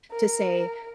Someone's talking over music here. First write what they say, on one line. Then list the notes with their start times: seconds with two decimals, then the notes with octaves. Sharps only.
to say,
0.11 A#4